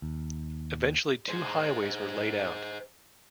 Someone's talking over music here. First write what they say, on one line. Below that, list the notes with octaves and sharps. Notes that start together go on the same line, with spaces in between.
Eventually two highways were laid out.
D#2
G#4 C5